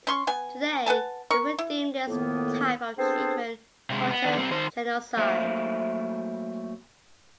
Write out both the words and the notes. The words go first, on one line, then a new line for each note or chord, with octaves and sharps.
Today we would deem this type of treatment 'Cultural Genocide'.
C#4 C6 C#6
B3 G#5
B4 F#5 G#5 A5
A#4 C#6
E4
F2 A2 D#3 A#3 B3
B3 C4 D4 G#4 A4 C5
C3 G#3
B3
D#3 D4
G3 C4
D#3 C5
F#3 A3 A#3 C5 E5 F5